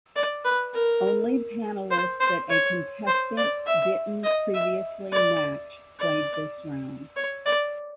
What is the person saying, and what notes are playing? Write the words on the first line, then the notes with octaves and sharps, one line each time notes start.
Only panelists that a contestant didn't previously match played this round.
D5
B4
A#4
C5
C5
C#5
C5
D5
E5
D#5
E5
D5
D5
C#5
D5